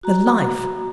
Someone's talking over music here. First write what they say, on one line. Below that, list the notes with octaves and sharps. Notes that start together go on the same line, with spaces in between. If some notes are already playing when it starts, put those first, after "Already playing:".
The life!
F#4 A#5